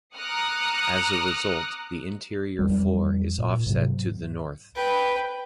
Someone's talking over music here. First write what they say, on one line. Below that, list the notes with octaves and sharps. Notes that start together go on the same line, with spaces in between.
As a result, the interior floor is offset to the north.
A#5 D6 D#6 F6 F#6 C#7
F2 G3
A#2
G#2 C3 F#3
B4 G5